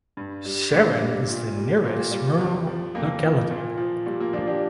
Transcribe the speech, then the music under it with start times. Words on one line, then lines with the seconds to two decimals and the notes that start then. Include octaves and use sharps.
Sharan is the nearest rural locality.
0.17 G2
0.45 G3
0.73 G2 A#3
1.01 G3
1.29 A#2
1.57 G3
1.84 A#2 A#3
2.11 G3
2.39 F2
2.67 F3
2.95 F2 A#3
3.23 F3
3.51 A#2
3.78 F3
4.06 A#2 G3
4.20 A#3
4.33 F3 A#3 D4
4.47 D4 G4